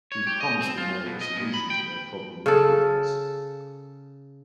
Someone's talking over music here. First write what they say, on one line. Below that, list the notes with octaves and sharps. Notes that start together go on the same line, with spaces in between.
He promised the mayor a solution to their problem with the rats.
C#5
G4
D#5
C4
F4
B2
D#5
A#2
B5
G5
C#3 A4